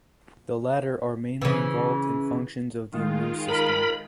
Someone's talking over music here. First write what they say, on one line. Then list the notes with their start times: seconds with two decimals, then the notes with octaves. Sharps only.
The latter are mainly involved in functions of the immune system.
1.42 C#3 E3
2.92 D#3 G#3 F4
3.49 A#4 B5